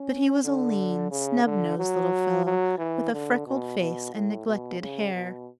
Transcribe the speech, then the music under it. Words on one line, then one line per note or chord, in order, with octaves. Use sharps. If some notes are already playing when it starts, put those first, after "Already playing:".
But he was a lean, snub-nosed little fellow, with a freckled face and neglected hair.
Already playing: C#4
D3
C#3
D3
F#3
F#3
E3
D3
B2
B2
A2
B2
C#3
B2